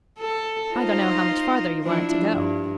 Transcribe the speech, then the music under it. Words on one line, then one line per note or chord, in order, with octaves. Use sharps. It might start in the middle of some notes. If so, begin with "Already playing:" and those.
I don't know how much farther you want it to go.'
A4
D#4 F4 C5
F3 D4 E4
G2